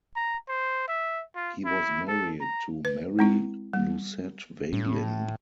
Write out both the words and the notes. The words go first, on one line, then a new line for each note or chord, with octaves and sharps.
He was married to Marie-Lucette Valin.
A#5
C5
E5
F4
E4
A4
A#5
B4
G#3 C4 E4
G3
A2